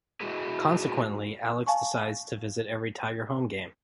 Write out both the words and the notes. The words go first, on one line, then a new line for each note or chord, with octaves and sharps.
Consequently, Alex decides to visit every Tiger home game.
E3 G#3 A3 F#4 G#4 B4
F5 G#5 A5 C#6